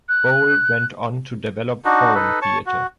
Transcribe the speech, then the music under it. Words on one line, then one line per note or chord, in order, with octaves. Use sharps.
Boal went on to develop forum theater.
F#6
D4 D#4 F#4
D#4 A4 B4
C#5 A5 C#6
F#4